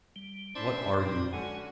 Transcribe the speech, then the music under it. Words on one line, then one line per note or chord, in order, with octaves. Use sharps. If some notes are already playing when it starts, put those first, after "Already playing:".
What are you?
G3
C#4 D4 E4 C5 E5 G#5 C6
A#2 D#4 D5 G5
D3 G#3 C#4 F#4 F#5 G#5